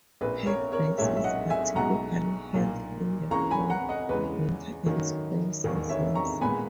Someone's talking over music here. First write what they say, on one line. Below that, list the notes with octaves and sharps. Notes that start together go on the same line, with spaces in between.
Head races are typically held in the fall, winter and spring seasons.
A#1 A#2 A#3 B4
A#4 C#5
A#4 C#5
B1 A#2 G#3 C#5 E5
E5
D#5 F#5
E5 G#5
B1 B2 G#3 F#5 A#5
B1 A#2 A#3
C#2 C#3 E3 A#3 A#5 C#6
G#5 B5
F#5 A#5
D#5 F#5
E2 C#3 E3 G#3 B4
F#2 D#3 F#3 A#3
E1 D#2 D#3 A#3
C#5 E5
A#5 C#6
A#2 G#3 B3 G#5 B5